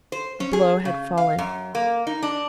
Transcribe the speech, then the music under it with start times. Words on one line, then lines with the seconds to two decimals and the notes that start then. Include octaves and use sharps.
The blow had fallen.
0.12 C5
0.40 C#4
0.53 G#4
0.85 C#3
1.17 F5
1.38 F#2
1.75 A#3
2.07 D#4
2.23 D4